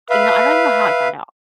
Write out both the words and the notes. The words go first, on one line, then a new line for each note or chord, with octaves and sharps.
you know, I don't even know how he found out
B4 E5 F5